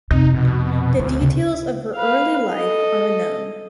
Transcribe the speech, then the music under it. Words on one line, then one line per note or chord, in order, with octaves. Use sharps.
The details of her early life are unknown.
F2 C3 D#4
B2
D2 E4
C#3
B4 F5
A4 D#5